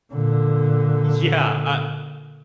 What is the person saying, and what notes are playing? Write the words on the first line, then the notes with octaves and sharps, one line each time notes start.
Yeah, I
A#2 D3